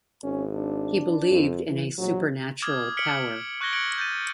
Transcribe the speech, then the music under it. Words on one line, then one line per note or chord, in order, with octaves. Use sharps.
He believed in a supernatural power.
G#1 C#4
D4
F2
E3
A#1 F#3
D6 D#6 F6 G#6
F6 B6 C#7 D7 F#7
C#6 F#6 G#6 A#6 G7
F#6 G#6 C#7 D7 F#7
G6 A6 D#7